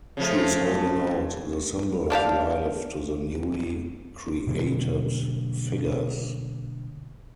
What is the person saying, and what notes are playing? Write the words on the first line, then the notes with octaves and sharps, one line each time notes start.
She is holding out the symbol of life to the newly created figures.
C#3 F3 A3
A#3 D4 G4 F5
B2 D3 F#3 A#3